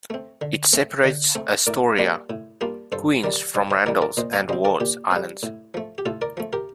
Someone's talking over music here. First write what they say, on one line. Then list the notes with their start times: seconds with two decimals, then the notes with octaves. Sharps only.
It separates Astoria, Queens from Randall's and Wards Islands.
0.10 A3 C4
0.41 D3
0.73 A3 C4
1.04 D3
1.35 A3 C4
1.67 A2 A#4 D5
1.98 G3 A#3 D4 F4
2.30 A2
2.61 G3 A#3 D4 F4
2.92 G2 A4 C5
3.23 D#3 G3 A#4 D5
3.54 G2 C5 D#5
3.71 C5 D#5
3.86 D#3 G3 A#4 D5
4.02 A#4 D5
4.17 A#2 C5 D#5
4.33 D5 F5
4.49 G3 C4 C5 D#5
4.65 A#4 D5
4.80 A#2 G4
5.11 G3 C4
5.43 A2
5.74 F3 A3
5.98 G4
6.06 A2 F4 A4
6.22 A#4 D5
6.37 F3 A3
6.53 G4 A#4